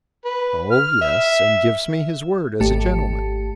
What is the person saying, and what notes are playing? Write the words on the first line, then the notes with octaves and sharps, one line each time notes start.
"Oh, yes; and gives me his word as a gentleman."
B4
F6
E5
G#1 A3 G4 A5 C#7